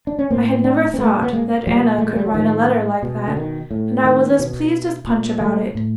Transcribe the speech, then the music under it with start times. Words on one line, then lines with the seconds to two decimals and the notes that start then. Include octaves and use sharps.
I had never thought that Anna could write a letter like that, and I was as pleased as Punch about it.
0.07 D4
0.19 C#4
0.30 A2 A#3 C4
0.64 C4 D4
0.94 C4
0.98 A#2 A3 B3
1.22 B3
1.32 G#3 A#3
1.67 A#2 F3 G3
1.98 A3
2.07 G#3
2.16 G3
2.26 F#3
2.34 A2 D#3 F3
3.03 B2
3.27 D3
3.37 D#3
3.71 A2
4.04 D#3
4.39 B2
5.07 A#2
5.41 G3 A3
5.75 A2